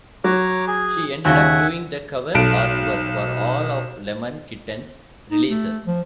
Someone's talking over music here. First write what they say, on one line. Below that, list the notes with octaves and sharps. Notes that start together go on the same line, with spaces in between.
She ended up doing the cover artwork for all of Lemon Kittens releases.
F#3 C#5 A#5 D6
G#4 G#5
D#2 C#3 E5 F#5 G#5
B1 A4 D7
D#4
A3
F3